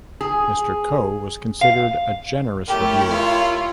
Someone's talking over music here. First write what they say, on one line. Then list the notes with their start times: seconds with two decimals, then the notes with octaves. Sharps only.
Mr. Coe was considered a generous reviewer.
0.21 G#4
1.61 F5
2.68 A3 E4 G4 A#4 C#5
3.12 F4